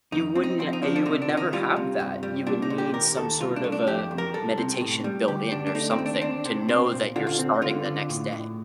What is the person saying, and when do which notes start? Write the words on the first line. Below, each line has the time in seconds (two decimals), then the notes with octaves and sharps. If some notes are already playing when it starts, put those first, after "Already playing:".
You wouldn't n uh, you would never have that. You would need some sort of a meditation built in or something to know that you're starting the next day.
0.12 F2 D#4
0.35 C4
0.43 D#4
0.59 F3 C4
0.73 D#4
0.82 F3 D4
0.96 D4
1.06 C3 D#4
1.22 D4
1.29 D#3
1.37 D#4
1.53 G3 F4
1.76 C3
2.00 G2
2.23 G3
2.47 A#2 D4
2.62 D#4
2.70 A#2
2.78 G4
2.94 D#2 A#4
3.17 D#2 A4
3.40 C2 F4
3.56 D4
3.64 A3
3.72 D4
3.87 F2 G4
4.11 F2
4.18 A#4
4.34 C2 A4
4.58 C3
4.81 A2
5.04 G3
5.28 D2 G4
5.51 D2 D4
5.67 D4
5.75 A3 D#4
5.91 C4
5.98 D#2
6.06 D4
6.21 C4 D4
6.45 C3
6.69 C4
6.92 A#2
7.16 D3 F4
7.27 F4
7.39 C4
7.62 D3 F4
7.86 D3
8.10 A2
8.33 A2